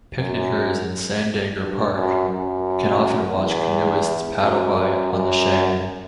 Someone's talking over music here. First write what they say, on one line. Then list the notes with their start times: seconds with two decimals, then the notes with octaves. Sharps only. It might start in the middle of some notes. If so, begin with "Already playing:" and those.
Picnickers in Sandager Park can often watch canoeists paddle by on the Sheyenne.
0.18 F#2
1.59 G2
1.94 F#2
2.30 F#2
3.36 E2
4.42 F#2
4.77 F#2
5.13 F#2